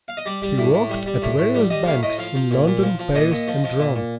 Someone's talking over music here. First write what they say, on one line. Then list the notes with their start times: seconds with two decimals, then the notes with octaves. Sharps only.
He worked at various banks in London, Paris, and Rome.
0.08 F5
0.17 D#5
0.26 G3 D5
0.42 G3
0.58 A2
0.74 A2
0.90 G3
1.06 G3
1.22 A2
1.38 A2
1.54 G3
1.70 G3 D#5
1.86 A2 F5
2.03 A2 D#5
2.18 F3 F5
2.35 F3
2.51 A#2
2.67 A#2
2.83 F3
2.99 F3
3.15 A#2 D#5
3.32 A#2
3.48 F3
3.64 F3
3.80 A#2
3.96 A#2